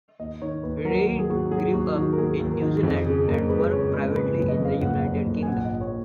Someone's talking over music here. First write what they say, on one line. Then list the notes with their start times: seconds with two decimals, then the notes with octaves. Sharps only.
Reid grew up in New Zealand and worked privately in the United Kingdom.
0.19 D#2 D#5
0.41 D#3 C#5
0.63 D#2 B4
0.85 F#3 A#4
1.07 D#2 A#4
1.19 G#4
1.29 D#2 F#4
1.51 F#3 G#4
1.73 D#2 F#4
1.96 D#3 F#4
2.13 A#4
2.18 D#2 G#4
2.39 D#2
2.51 A#4
2.61 D#3
2.83 F2 G#4
3.06 C#3 G#4
3.28 F#1 A#4
3.49 G#3 B4
3.72 C#3 C#5
3.94 G#3 B4
4.16 C#3 B4
4.33 B4
4.38 F#1
4.48 D#5
4.60 F2
4.65 F5
4.81 F#1 F#5
5.04 F#1
5.26 F#1
5.43 G#5
5.48 A#1 F#5
5.65 D#5
5.70 A#1
5.81 C#5